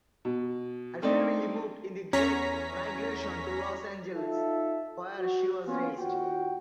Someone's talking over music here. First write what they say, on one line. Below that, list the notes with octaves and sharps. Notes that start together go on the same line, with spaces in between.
Her family moved in the Great Migration to Los Angeles, where she was raised.
B2
A3 C4 D4 D#4
E2 C#4 C#5 A#5 B6
D#4 F4 A4 E5
F#4
A#3 B3 C#4 F4
D#2 F4 F#4 G5